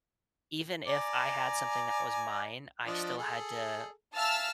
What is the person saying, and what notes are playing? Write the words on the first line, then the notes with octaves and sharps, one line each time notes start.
even if I had something that was mine, I still had to
D5 G#5 A#5
F3 D4 D#5
G#4 A4
E5 F5 G#5 A5 E6 F6